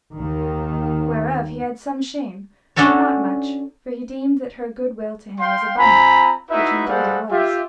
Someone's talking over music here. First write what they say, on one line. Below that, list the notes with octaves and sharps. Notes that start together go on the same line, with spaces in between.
Whereof he had some shame, but not much, for he deemed that her goodwill to him was abundant, which indeed it was.
D#2 D#3
C#4 D4 F#4 A4 C#5
F5 G5 C6
C4 F4 G#5 A#5 B5
D#4 E4 F#4 B4 E5
G3 G#3 A4 C5 F5 F#5
F4 G4 E5